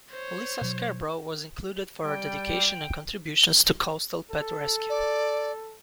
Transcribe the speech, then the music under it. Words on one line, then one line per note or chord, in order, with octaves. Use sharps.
Lisa Scarbrough was included for her dedication and contributions to Coastal Pet Rescue.
C5 C#5
B2 F#3
G3 G5
A4
D5